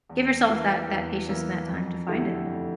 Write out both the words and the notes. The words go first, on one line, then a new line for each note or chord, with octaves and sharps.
give yourself that that patience and that time to find it.
E2
E3 A#3 E4
E2
E3 A#3 E4
F2
D3 A3 E4 G4
F2